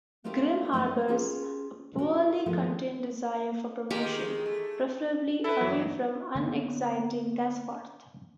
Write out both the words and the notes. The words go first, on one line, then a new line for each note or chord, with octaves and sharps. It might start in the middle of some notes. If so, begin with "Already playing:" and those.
Grim harbours a poorly-contained desire for promotion, preferably away from unexciting Gasforth.
A3 A#3 C4 D#4 G4 A#4
F#3 A3 D#4 D5 D#5
C#4 F4 G4 G#4
F#4 G4 A#4
D#3 F3 G#3 A3 B3
D#3 G#3 G4 A#4
A3
E4 A4 B4
G1 E3 F#3
D3 A#3 B3